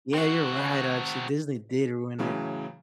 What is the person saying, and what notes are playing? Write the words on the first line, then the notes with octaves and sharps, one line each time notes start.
Yeah, you're right, actually Disney did ruin it.
C4 F#4
A2 C#3 E3 F#3